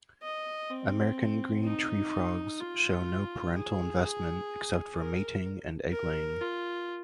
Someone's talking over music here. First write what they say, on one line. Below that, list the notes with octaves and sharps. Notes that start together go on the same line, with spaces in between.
American green tree frogs show no parental investment except for mating and egg-laying.
D#5
C4
D#4
F4
G#4
A#4
A#4
F4